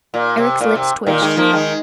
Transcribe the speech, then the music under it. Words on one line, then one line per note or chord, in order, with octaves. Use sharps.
Eric's lips twitched.
A#2
C3
A#2
C3
A#2 D#3
D#3 G#3
F3 A#3
D#3 G#3